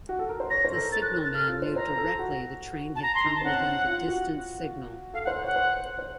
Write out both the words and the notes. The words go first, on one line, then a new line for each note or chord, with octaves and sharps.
The signalman knew directly the train had come within the distant signal.
F#4
A4
A#4
C5
C#5 A#6
C5
A4
A#4
A4 A6
F#6
F#6
A6
A4 F6
F4
C5
C5 A#5
A4
F#4
A5
A#5
C6
D#4 A#5
A5
C4
C#4 F#5
F4
F#4
A4 F5
F#5
C5
C#5 F#5
C5
C5